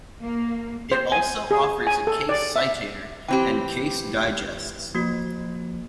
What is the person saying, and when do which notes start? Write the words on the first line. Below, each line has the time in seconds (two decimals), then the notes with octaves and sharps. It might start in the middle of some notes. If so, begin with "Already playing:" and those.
It also offers a case citator and case digests.
0.21 A#3
0.92 C5
1.12 G#5
1.51 G#4
1.87 G#5
2.07 A4
2.29 D5
2.56 E5
3.28 E3 C4 G4 G5 B5
4.95 F3 A#3 F#4